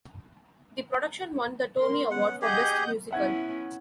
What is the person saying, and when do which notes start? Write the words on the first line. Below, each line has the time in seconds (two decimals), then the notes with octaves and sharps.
The production won the Tony Award for Best Musical.
1.78 A#4 C6
2.11 B3 C#4 F#5
2.42 G4 G#4 D#5 F#5 G6
3.11 B3 C#4 E4 E5 F#5 G#6